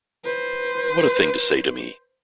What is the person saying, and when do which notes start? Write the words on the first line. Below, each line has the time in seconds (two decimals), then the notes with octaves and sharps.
What a thing to say to me!
0.24 B4 C5